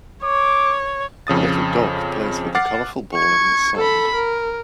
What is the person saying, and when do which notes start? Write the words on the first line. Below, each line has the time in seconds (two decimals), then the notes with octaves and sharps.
A little dog plays with a colorful ball in the sand.
0.24 C#5 D6
1.27 F2 C#3 D#6 A6
2.55 F#5 D6 F6 A6 C7
3.14 C#6 G#6
3.77 A4 B5
4.15 A#4